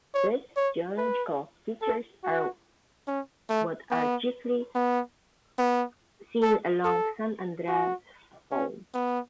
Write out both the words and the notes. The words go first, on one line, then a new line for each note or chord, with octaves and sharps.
These geological features are what are chiefly seen along San Andreas Fault.
C#5
C#5
B4
A4
F#4
C#4
A3
B3
B3
B3
A4
A4
F#4
C#4
B3